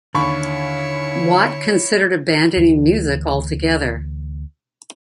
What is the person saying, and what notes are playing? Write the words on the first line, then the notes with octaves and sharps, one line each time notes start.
Watt considered abandoning music altogether.
D#2 D3 E4 C#5 B5 C#6
D2 E3